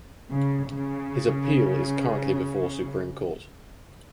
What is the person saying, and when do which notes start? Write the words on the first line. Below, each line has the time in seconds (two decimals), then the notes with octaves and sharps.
His appeal is currently before Supreme Court.
0.31 C#3
0.71 C#3